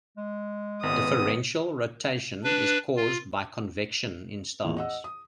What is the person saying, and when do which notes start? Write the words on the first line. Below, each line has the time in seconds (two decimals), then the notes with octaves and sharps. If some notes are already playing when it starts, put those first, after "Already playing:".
Differential rotation is caused by convection in stars.
0.17 G#3
0.83 G#1 A2 C#3 B3 D#6
2.44 D4 B4
2.97 F4
4.64 A1 E2 A#2 E3
4.77 D#5 F#5 E6
5.04 D#6